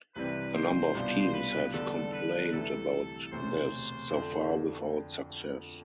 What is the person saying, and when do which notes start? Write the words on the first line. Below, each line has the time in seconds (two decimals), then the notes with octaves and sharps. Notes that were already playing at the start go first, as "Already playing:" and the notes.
A number of teams have complained about this, so far without success.
0.15 C2 C3 E3 G3 C4 B4
0.55 C5
0.95 C2 B2 G3 D4 F4
1.34 B4
1.74 E2 D3 G3 A4
2.13 B4
2.52 C2 C3 E3 A3 A4
3.32 E1 D2 C3 C5
4.11 F2 D3 A3